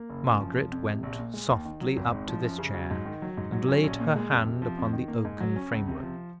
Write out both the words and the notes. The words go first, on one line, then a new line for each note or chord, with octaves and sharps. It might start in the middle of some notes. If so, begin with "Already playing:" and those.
Margaret went softly up to this chair, and laid her hand upon the oaken framework.
Already playing: A#3
F#1
F#2
F3
F1
F2
C3
A#1
A#2
G#3
D#2
D#3
F#3
G#1
G#2
F3
F#2
C#3
F#3
G#2
D#3
F#3
G#2
F#3
C#4
A#1
A#2
G#3
F2
C3
F3
F2
D#3
A#3
G#2
F#3
C#4
C#2
C3
F3